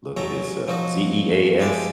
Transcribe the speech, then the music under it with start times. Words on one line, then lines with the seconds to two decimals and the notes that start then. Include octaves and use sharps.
look this up. Z-E-A-S?
0.17 A1 F#2 F#3 A4 A#5
0.68 F3 F#3 D#4 F#4
1.60 F3 G#3 E4 G4 D5 F5